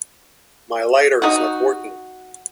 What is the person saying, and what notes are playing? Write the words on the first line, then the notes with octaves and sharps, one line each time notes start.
My lighter is not working.
D#4 F#4